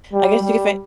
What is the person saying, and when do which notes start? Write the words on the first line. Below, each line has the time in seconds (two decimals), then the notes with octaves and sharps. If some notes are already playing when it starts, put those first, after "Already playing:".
I guess you could say
0.13 G3
0.43 G3